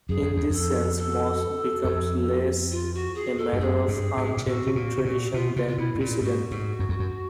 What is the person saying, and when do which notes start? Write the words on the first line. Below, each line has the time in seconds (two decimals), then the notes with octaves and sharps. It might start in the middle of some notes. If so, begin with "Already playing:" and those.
In this sense, "mos" becomes less a matter of unchanging tradition than precedent.
0.09 F#2 G#4
0.22 F2
0.37 E2
0.50 F2 A4
0.97 A4
1.84 F2
2.71 F4
2.94 F#4
3.15 G#4
3.38 A4
3.53 G2
3.59 F#2 G#4
3.88 G2
4.17 G#2
4.37 A#2
4.46 A2 F#4
4.67 B2
4.76 A#2
4.98 B2
5.05 A#2
5.34 B2 F4
5.56 C3 F4
5.68 F4
5.78 B2 E4
5.95 A2
6.00 A#2 F4
6.21 G#2 F#4
6.51 G#2
6.79 F#2
6.89 F2
6.99 F#2